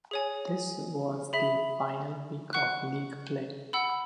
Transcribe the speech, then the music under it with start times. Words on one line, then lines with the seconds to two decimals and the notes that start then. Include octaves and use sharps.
This was the final week of league play.
0.11 G#4 C#5 G#5
1.33 G#4 E5 B5
2.53 F#5 C#6 F#6
3.73 F#5 B5 E6